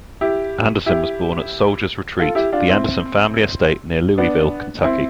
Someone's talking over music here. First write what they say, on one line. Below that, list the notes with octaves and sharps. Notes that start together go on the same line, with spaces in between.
Anderson was born at "Soldier's Retreat," the Anderson family estate near Louisville, Kentucky.
E4 G4
E4 G4
F4 A4
E4 G4
D4 F4
C4 E4
B3 D4
C4 E4